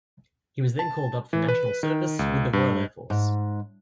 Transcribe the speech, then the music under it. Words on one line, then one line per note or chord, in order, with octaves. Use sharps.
He was then called up for National Service with the Royal Air Force.
A5
E3
B4
D#3
C#2
G2
G#2